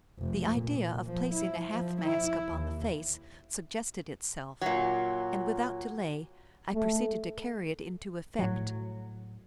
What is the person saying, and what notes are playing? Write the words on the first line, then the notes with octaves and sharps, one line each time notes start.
The idea of placing a half-mask upon the face suggested itself, and without delay I proceeded to carry it into effect.
F1
A#2
F3
E4
F3
E4
D#2
A#2 F#3
A3
A2 F#3